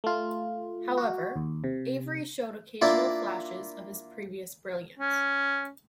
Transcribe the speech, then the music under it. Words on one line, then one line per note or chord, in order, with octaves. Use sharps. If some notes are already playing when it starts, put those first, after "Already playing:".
However, Avery showed occasional flashes of his previous brilliance.
A3 F4
F#4
D#2
C3
A#3 D4 E4 F4
C#4